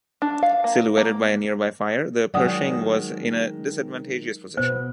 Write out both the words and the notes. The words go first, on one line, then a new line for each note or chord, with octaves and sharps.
Silhouetted by a nearby fire, the Pershing was in a disadvantageous position.
D4
F5
A#3
A#3
D#3 F#3 G#3 C#4 D5 F#5 D#6
B2 B3 C5